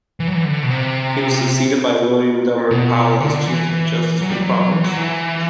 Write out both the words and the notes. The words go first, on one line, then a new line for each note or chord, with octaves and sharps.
He was succeeded by William Dummer Powell as Chief Justice for the province.
E3
F#3
E3
D3
B2
C3
B2
D3
E3
E3
F#3
G3
F#3
E3
F#3
E3